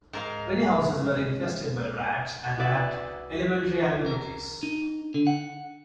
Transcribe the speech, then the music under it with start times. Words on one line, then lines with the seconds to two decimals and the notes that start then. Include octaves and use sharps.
Many houses were infested by rats and lacked elementary amenities.
0.13 G#2 A#4 F5
2.58 F#4 G#4 B4 D5 E5 F#5
4.06 A#4
4.63 D#4
5.14 D3
5.27 F#5